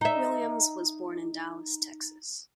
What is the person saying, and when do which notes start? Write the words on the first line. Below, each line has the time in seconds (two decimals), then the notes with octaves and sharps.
Williams was born in Dallas, Texas.
0.01 D#4 E5